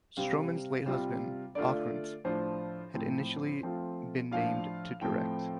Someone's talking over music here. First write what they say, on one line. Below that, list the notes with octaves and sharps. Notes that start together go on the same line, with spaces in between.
Stroman's late husband, Ockrent, had initially been named to direct.
C3 G3 C4 F5
C3 G3 C4 F4
D3 A3 F4 D5
A2 F3 D4 F4 C5
A2 F3 C4
F3 A3 C4 F4
A2 F3 D4 F4 F5
A2 F3 A3 C4 G5